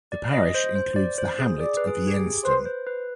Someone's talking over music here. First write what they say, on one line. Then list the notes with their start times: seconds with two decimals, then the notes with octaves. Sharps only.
The parish includes the hamlet of Yenston.
0.12 D5
0.33 D#5
0.54 C5
0.75 C5
0.96 D5
1.18 C5
1.39 G#4
1.60 G#4 D5
1.77 B4
1.87 G#4
2.07 G4
2.16 G#4
2.45 B4 C5
2.65 C5
2.87 B4